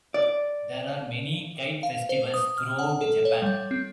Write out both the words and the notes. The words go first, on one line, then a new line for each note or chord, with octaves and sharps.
There are many kite festivals throughout Japan.
D5
F5
C5
D#6
F6
F#5
A4
C#5
G3
C4